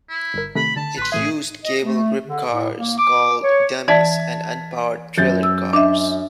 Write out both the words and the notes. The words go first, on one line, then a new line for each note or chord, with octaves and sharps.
It used cable grip cars called "dummies" and un-powered trailer cars.
E4
G1 A#4
C3 D#3 A3 B5
D3 A5
A1 B4 C6
A2 E3 G#4 E5
D#5
A3
D3
A2
A#3
D6
C#5
E3 D5 E5 A5 G#6 B6
F#2 G6 A6
E6
D4 D#5 E5